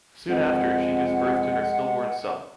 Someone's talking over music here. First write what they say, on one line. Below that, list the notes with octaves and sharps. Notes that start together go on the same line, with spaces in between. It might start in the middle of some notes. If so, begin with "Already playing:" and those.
Soon after, she gives birth to her stillborn son.
F2 G#3 F#5